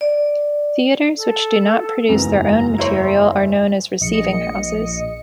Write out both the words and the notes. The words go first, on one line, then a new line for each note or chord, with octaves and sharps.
Theaters which do not produce their own material are known as receiving houses.
D5
A4
F#1 E2 G#2 A#5
E4 C5 C#5
A#1 D#5 C#7